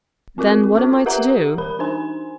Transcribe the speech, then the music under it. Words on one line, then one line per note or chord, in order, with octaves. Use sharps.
"Then what am I to do?"
C4 F4 F#4 A#4
C#4 F4 F#4 A4 C5
G4 A#4 B4 E5 F#5 A#5
G4
E3 A#4 B5
D4 D#4 C5 G#5 C6